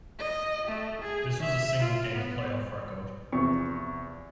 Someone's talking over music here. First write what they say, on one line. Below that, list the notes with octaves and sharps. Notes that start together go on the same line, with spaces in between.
This was a single game playoff record.
D#5
A3
G#4
E5
F4
B3
E2 C3 F3 C#6